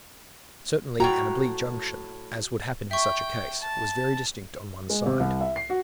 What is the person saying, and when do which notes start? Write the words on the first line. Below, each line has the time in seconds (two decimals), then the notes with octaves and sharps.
Certainly an oblique junction, as would happen in such a case, was very distinct on one side.
1.00 A2 F#4 G5 A#5
2.91 E5 G5 C#6
3.61 A5
4.90 G#3
5.06 C3
5.20 C2
5.41 E5
5.56 C7
5.70 F#4